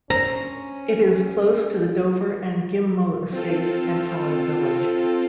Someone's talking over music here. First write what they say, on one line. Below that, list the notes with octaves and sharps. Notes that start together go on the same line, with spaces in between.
It is close to the Dover and Ghim Moh estates, and Holland Village.
C#4 C5 A#5
C4 F4 A4